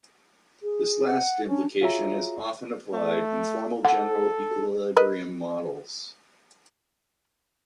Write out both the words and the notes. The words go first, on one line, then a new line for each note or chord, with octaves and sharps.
This last implication is often applied in formal general equilibrium models.
G#4
F#5
C#4 D4
F4 F#4 G#4 C#5 E5 A#5
A3
A4 F#5
A#4 B4 D#5